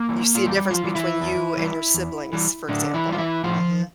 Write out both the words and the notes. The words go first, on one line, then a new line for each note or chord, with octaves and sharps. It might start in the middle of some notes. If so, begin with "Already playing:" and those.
You see a difference between you and your siblings, for example. Mhm.
Already playing: A#3 A#4
E3 G3
F4
E2 G3 G4
F3 F4
E3 G3
E3 E4
E2
E3 G3
E2
E3 G3
A2 D3 D4
E3 E4
G3
F4
E3 E4
A2 F3 F4